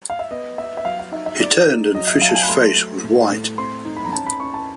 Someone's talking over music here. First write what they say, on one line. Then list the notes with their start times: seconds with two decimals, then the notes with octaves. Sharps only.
He turned, and Fisher’s face was white.
0.10 F5
0.19 E5
0.31 B3 D#5
0.58 B3 E5
0.77 E5
0.84 F#3 F5
0.99 F5
1.12 D#4 E5
1.26 E5
1.40 D#4 D5
1.67 D#4
1.95 F#3 D#5
2.07 E5
2.21 F#3 F5
2.29 A5
2.35 G#5
2.43 B5
2.48 A3 C6
2.76 A3
3.04 A2
3.32 A2
3.58 C4 C6
3.85 D#4
3.97 B5
4.05 A#5
4.13 C#4 A5
4.27 B5
4.40 C#4 C#6
4.54 A5